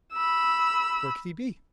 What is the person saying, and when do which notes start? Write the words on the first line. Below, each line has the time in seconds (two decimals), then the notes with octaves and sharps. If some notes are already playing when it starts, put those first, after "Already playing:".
Where could he be?
0.13 B5 E6